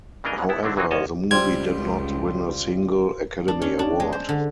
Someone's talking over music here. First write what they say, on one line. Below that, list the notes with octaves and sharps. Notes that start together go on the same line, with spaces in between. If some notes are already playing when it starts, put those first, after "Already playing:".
However, the movie did not win a single Academy Award.
C#3 E3 A#3 D4 A#4 D#5
C#2 G#2 B2 E3 G#3
B3 E4
D3 F#3 C4 D4 E4
C3 E3 F#3 C4 D#4
C2 F3 C#5 D#5 A5
C#2 G3 C4 F4 C5 G#6
D4
C#4
D4
G#3
C5
D3